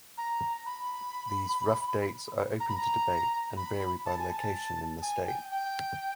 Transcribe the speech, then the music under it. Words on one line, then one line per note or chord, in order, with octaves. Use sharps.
These rough dates are open to debate and vary by location in the state.
A#5
B5
A#5
B5
A#5
B5
A5
G#5
A5
G#5
G5
G5